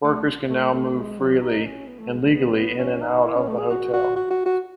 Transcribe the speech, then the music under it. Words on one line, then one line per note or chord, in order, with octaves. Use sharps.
Workers can now move freely and legally in and out of the hotel.
A3
A3
A3
G#3
F#3
D#4
C#4
B3
A3
G#3
A3
B3
C#4
D#4
E4
C#4
A3
G#4
F#4
F#4
F#4
F#4
F#4